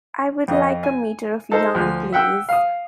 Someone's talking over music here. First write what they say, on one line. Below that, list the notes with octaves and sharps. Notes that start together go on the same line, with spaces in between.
I would like a meter of Yarn, please.
F2 D#5
G#5
D#4 A4 A#4 C5
D2 F3
E5 F#5 G5 E6
F5 D#6